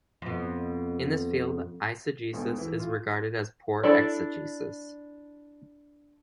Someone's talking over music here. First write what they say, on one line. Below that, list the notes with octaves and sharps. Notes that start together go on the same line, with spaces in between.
In this field, eisegesis is regarded as poor exegesis.
F2 B2
D2 G#2 B2
E3
F4
D4 E4 A4 D5